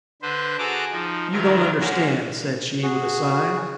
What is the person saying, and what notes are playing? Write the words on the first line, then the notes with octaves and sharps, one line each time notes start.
"You don't understand," said she, with a sigh.
D3 B4 C5
F#4 G#4 A4 A#5 D6
F3 D#4
D2 D3 D#3 F#3 A#4
G#3 A#3 C#4 F#4
F#4 G#4